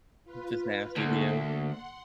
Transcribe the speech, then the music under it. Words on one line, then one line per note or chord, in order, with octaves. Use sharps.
Just nasty to
F4 B4
D2 D3 A#3 A4
F#5 C6